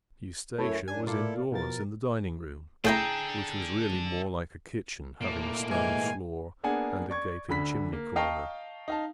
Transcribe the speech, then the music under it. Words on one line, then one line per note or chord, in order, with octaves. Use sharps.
Eustacia was indoors in the dining-room, which was really more like a kitchen, having a stone floor and a gaping chimney-corner.
F#2 A3 E4 C#5
F#2 D4 G#5
A#2 E4 A4 D5 F5
B2 F3 A#4 A6
A2 C#4 D4 E4 G#4 A4 G5 A#5
A#2 A3 A#3
G#2 E3 G#5
A#3 B3 D4 G#4 F#5 G#5
D5 C#6 G#6
D2 D3 B5 B6
A#3
D#5 F5 G5 A5 A#5 C#6
D#4 F5 A5